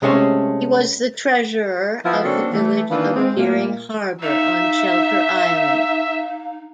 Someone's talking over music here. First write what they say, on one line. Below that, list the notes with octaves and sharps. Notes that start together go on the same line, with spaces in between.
He was the treasurer of the village of Dering Harbor on Shelter Island.
C3 G#3 A3 C#4 C5 C#5
F3 B3 E4
C#3 A#3 C4 D4 F#4 A4
E3 A3
D#3 E3 A#3 B3 D4 F4
G#3 C4
A#2 A3 A#3
D#4 E5 F5